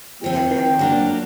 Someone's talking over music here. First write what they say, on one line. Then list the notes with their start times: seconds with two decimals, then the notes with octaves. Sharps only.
You had that moment.
0.24 D#3 C4 G5
0.79 F#3 A#3 D4